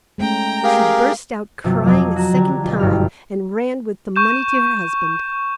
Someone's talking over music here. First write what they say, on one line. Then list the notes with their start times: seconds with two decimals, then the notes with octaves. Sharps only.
She burst out crying a second time, and ran with the money to her husband.
0.18 G#3 A3 C#4 G5 A#5
0.64 G4 G#4 A#4 F5
1.64 G1 C3 F#3 F4
1.86 F2 F#3 F5 D6 D#6 G#6
2.16 F#4 A#5
2.33 D3 F#3 D4 G4 G#6
2.64 B1 F4
2.79 F#1 G2 F#3 G4 F6
4.16 C#6 G6 E7